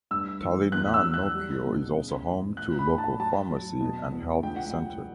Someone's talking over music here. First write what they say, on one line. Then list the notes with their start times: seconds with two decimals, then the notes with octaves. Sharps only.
Tallinnanaukio is also home to local pharmacy and health center.
0.11 G2 E6
0.42 E3
0.72 E2 F#6
0.94 E6
1.03 F#3
1.14 F#6
1.35 G3
1.65 B2
1.96 C#3
2.27 E2
2.57 A2 F#6
2.79 B5
2.88 A2
2.98 A5
3.19 F#3 A5
3.50 F#3
3.80 B2
4.12 E2
4.43 C#2 G5
4.56 F#5
4.71 F#3 G5